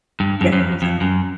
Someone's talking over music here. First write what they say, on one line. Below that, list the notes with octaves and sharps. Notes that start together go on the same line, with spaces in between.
Right, exactly.
G2
F#2
F#2
F2
F2
F#2